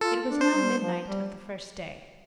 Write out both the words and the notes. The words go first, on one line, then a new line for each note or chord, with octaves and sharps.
It was now midnight of the first day.
F4 A4
D4
C5
G3
F3
G3